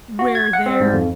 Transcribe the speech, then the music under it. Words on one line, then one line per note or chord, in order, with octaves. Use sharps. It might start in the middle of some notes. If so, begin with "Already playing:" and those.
where their
F#4
G#6
F#5
C4
G#2
F2